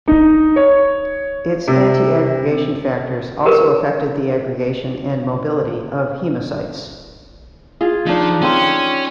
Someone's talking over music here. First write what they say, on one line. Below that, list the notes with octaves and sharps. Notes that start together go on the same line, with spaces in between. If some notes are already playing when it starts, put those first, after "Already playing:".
Its antiaggregation factors also affected the aggregation and mobility of haemocytes.
D#4
C#5
C3
G4 G#4 A#4 B4
F4 G#4
F3 D4 D#4
C4 C#4 C5